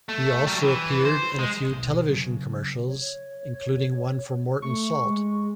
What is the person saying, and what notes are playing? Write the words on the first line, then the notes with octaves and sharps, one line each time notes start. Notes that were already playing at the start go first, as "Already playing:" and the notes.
He also appeared in a few television commercials, including one for Morton Salt.
A3
F#3 G3
E3
C5
G#3
B1 B2
C#3 F#3
C#5
A3 C#6
G#3